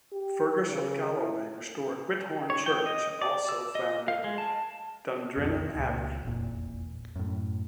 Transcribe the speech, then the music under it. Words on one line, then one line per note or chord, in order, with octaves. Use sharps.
Fergus of Galloway restored Whithorn church and also founded Dundrennan Abbey.
G4
C#3
E4
C#5
G5
D#5
D5
E6
D#5
F5
G#3
A5
B1 F2 B2
C#2 A#2
F1 A#1 E2 A#2
F#2 A2